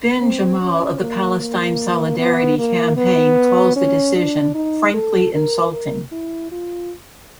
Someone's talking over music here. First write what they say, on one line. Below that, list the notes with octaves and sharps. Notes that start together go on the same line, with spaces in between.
Ben Jamal of the Palestine Solidarity Campaign calls the decision "frankly insulting".
C4
C#4
A#3
A#3
B3
A#3
B3
C#4
D4
D#4
A4
A#4
A#4
E4
F4